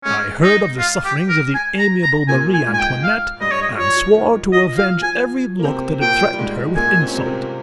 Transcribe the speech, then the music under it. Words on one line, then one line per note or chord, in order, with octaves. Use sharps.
I heard of the sufferings of the amiable Marie Antoinette, and swore to avenge every look that had threatened her with insult.
G#2 G#3 C#4
D#4
F4
G4
A#4
G#5
A#5
A#5
A#2 A#3 G#5
G#5
G#2 G#3
G#5
G5
F5
G2 G3 D#5
C#5
D#5
F3 C#5
F3
D#3
F3
F3 D#5
F3 F5
F3 G#5
A#3
C3 C4
A#2 A#3 G5
G3
G#2 G#3
A#2 A#3 G#5
C4
C#4
C3 C4
A#2 A#3